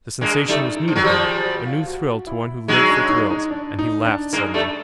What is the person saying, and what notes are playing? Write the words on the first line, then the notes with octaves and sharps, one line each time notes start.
The sensation was new to him--a new thrill to one who lived for thrills, and he laughed suddenly.
G#3 A#3 D4
G3 A3 D#4
D#4
F3
F#3
F3 G3 G4
G#4
F#4
F4
F#4
E4
F#3 G#3 D#4
D4
D#4
D#4
D4
D#4
D4
G#3 A#3 D#4
G3 A3 D4